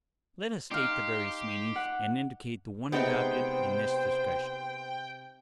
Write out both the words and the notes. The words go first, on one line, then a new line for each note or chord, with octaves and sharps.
Let us state the various meanings and indicate the one adopted in this discussion.
D#4 G4 F5 C6
F#5
C3 G#3 B3 C4 D#4 C5 G5